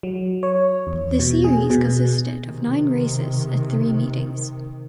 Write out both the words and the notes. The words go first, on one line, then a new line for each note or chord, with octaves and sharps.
The series consisted of nine races at three meetings.
F#3
C#5
E2
B2
G#4
B2
C3 D#3